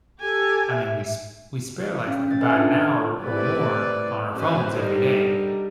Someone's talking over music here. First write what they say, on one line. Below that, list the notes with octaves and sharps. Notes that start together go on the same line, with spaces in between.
I mean, we s we spare, like, about an hour or more on our phones every day.
G4 A4 G#5
E5
C#4 F5
C#4 A6
G#4 A4 B4 E5 G#5
D4 F4 A4 A5
G#6
G3 A3 C4 E4 B4 D5
G#3 C#4 F#4 B4 C5
D3 G3 D#4 G4 A#4